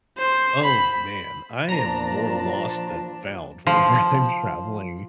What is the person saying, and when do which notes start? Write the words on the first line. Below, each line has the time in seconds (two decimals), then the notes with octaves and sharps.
Oh, man, I am more lost than found whenever I'm traveling.
0.18 C5
0.63 B5
1.69 A#2 F3 D4 A5 A#5
3.67 F3